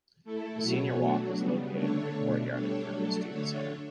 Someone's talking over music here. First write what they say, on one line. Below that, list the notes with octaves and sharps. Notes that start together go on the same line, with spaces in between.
The Senior Walk is located in the courtyard in front of the Student Center.
A3 E4 A4
B2 F#3 B3 F#4 C#5
F#3 A3 D4 F#4
C#3 G3 B3
D3 A3 D4 A4 C#5
B2 A3 D4
G3 D4 A4 C#5
F#3 A3 D4 A4
D3 A3 D4 A4 C#5